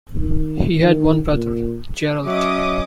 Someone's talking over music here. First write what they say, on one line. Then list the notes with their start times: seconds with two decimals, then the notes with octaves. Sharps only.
He had one brother, Gerald.
0.17 D#3
0.83 D#3
1.32 A#2
2.26 F#3 C#4 D#5 E5 D6 D#6